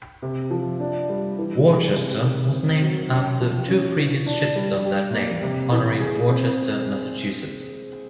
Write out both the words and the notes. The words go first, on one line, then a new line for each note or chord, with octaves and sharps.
"Worchester" was named after two previous ships of that name, honoring Worcester, Massachusetts.
C3
F3
D4
G3
E3
G#3
C3
D#3
C4
F#3
C#4
F3
C#4
E3
D4
G3
G4
A#3
C3
E3
G#4
C4